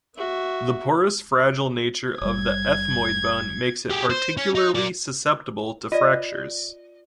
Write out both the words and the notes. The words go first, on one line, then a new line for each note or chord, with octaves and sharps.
The porous fragile nature of the ethmoid bone makes it particularly susceptible to fractures.
F#4 E5
F#1 G3 G#6
G4 G#4
C5
C#4
D#4
A#3 D5
F4 D5 D#5